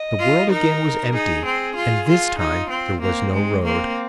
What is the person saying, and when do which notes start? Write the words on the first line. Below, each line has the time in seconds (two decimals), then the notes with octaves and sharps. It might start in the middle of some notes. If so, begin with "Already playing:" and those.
The world again was empty, and this time there was no road.
Already playing: D#5
0.19 F4
0.50 D#4 A#4
1.12 D#4 G#4
1.45 C4
1.75 F4
2.07 F4
2.39 D#4 F4
2.70 C4
3.01 A#3 C4
3.33 G#3
3.64 A#3 C4